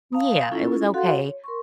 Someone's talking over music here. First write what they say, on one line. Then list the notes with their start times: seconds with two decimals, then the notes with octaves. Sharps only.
Yeah, it was okay.
0.13 F5 A5 A#5 D#6
0.52 C#4 E4 F4 A4
0.94 F#4 A4 F5 F#5 C6
1.10 C#5
1.44 A#4 C6 C#6